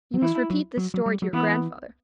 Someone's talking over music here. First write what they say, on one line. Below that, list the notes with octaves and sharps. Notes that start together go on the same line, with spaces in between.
"You must repeat this story to your grandfather."
F#3
E3 E4
F#3
F#3
F#3
G3
F#3
E3 B3